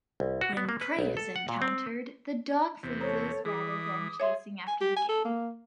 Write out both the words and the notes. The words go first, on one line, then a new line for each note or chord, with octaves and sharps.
When prey is encountered the dog freezes rather than chasing after the game.
C2
F#4
B3
A#3
B4
B1
A4
F#5
A#2
C4
E2 C3 C5
A4 C5 C#5 A#5 D#6
E3 G#4 D6 D#6
G#4 C#5 E5 C6
G#5
G4
G#5
A4
A#3